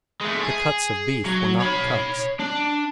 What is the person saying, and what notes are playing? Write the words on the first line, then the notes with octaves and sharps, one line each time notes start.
The cuts of beef were not cuts.
G#3 A3
G#4
F#3
C#5 B5
D4